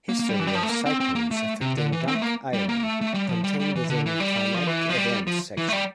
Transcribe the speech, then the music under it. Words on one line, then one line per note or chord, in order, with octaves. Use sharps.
History of cyclones affecting Dunk Island contained within Climatic Events section.
A#3
A#3
G3
E3
G3
F3
A3
A#3
C4
C4
A#3
A3
C3
D3
E3
C4
A3
A#3
G3
A#3
A3
A3
G3
F3
G3
G3
E3
D3
E3
G3
F3
E3
F3
G3
F3
E3
A3
G3